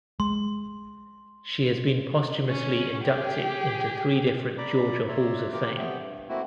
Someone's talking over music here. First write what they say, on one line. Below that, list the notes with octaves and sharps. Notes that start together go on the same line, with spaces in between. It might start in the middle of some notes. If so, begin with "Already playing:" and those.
She has been posthumously inducted into three different Georgia halls of fame.
G#3 C6
C#4
G4 G#4
D5 A#5 B5 D6
C#5 D5 E5 A#5 C6
E3 F4 G4 A#4 D6
A3 B3 C4 G4 G5
G2
A3 A#3 C4 E4 F#4